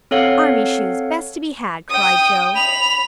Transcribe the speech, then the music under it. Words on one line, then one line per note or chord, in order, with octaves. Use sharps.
"Army shoes, best to be had," cried Jo.
C4 A4 C#5 F5 F#5
G5 D#6
B5 F7